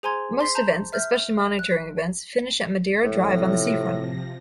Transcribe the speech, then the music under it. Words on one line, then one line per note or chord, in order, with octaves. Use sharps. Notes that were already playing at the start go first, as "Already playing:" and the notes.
Most events, especially motoring events, finish at Madeira Drive on the seafront.
G#4 C5 G#5 A#5 C6 G#6
C5 C6 B6 C7
A5 A#5 G6
E5 F6 G6
F7 G7
F#6
A2 C3 F3 A#6